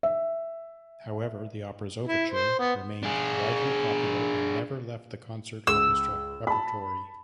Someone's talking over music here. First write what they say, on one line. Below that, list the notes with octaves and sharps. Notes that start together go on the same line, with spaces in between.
However, the opera's overture remained widely popular and never left the concert orchestra repertory.
E5
E4
C5
B3
D4 G#4
C#2 E6
A5 B5